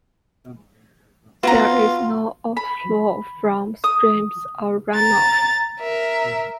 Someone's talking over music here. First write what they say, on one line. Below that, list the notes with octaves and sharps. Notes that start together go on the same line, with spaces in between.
There is no outflow from streams or runoff.
B3 F4 F#4 A#5
B5
D#6
A#5 A6
A#4 E5